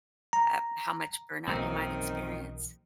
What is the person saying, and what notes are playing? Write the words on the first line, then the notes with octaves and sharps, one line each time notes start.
uh, how much burnout you might experience?
A#5
B1 F#2 D#3 E3 A#3 C4 D#4